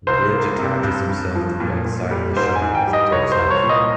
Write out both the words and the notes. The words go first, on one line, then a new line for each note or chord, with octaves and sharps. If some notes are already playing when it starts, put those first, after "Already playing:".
Glitch attaches himself to the outside of the shuttle as it takes off.
C2 C5
A#3
C3
G2
G2
F3
A#2
A#2
G3
G#2 C5
G#5
G#2
G5
G3
D#5
C2 C#5
C5
C2
C#5
A#2
D#5